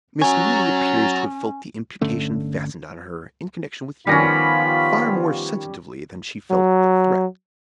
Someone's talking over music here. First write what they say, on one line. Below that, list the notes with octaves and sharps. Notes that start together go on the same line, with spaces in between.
Miss Neelie appears to have felt the imputation fastened on her, in connection with you, far more sensitively than she felt the threat.
C#4 F#4 C#5 G#5 A#5 A6
G1 D3 A3 C#4
D#3 F3 G3 B3 C#4 F4 B5 A#6
F#3